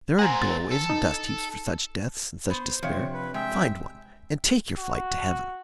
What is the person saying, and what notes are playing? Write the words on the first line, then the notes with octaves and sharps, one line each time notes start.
There are doorways and dust-heaps for such deaths, and such despair--find one, and take your flight to Heaven!'
C4 F#5 G#5 A#5
A6
A4
D#4
B3 C5
C3 F3 D4 C#5
B4
G#3 E5 G5
F#4